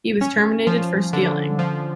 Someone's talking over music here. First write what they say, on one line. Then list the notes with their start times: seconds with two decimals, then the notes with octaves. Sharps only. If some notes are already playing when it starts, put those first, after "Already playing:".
He was terminated for stealing.
0.21 C#4
0.67 F3
1.13 D3
1.59 F3